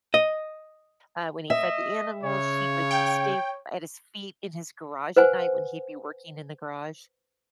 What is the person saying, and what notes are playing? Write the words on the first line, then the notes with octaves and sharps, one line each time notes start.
uh, when he fed the animals, she would stay at his feet in his garage at night when he'd be working in the garage.
D#5
D#5 E5
C#3 C#5
G5
B4 C5 F#5 G#5